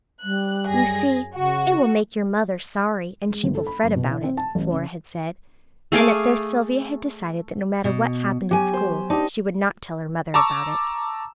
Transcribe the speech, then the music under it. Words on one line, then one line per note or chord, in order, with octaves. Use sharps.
"You see, it will make your mother sorry, and she will fret about it," Flora had said; and at this Sylvia had decided that no matter what happened at school she would not tell her mother about it.
G3 F#6
F#2 G#4 A#6
C#3 F#4
G#3
G1
A4
B5
F#1
B2
E3
C4
A5
A1
C#3
A3 G#4 F5 D6
B2
F#3 G4 G#5
C5
D4 D#4 G4
A5 A#5 C#6 D6 E6